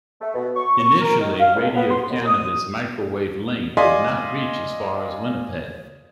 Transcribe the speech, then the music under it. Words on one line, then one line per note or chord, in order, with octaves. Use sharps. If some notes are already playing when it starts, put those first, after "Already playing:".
Initially, Radio-Canada's microwave link did not reach as far as Winnipeg.
A3
B2
C#6
C#6
A#4
D#3
F5
C#2
B3
C6
D#2
D#6
D5 D#5 F5 G#5 C6 B6